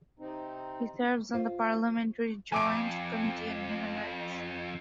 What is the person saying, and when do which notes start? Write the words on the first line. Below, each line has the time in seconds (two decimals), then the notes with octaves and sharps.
He serves on the Parliamentary Joint Committee on Human Rights.
0.19 C3 C4 D#4
1.34 F4 C5
2.52 F2 G#5 D6 D7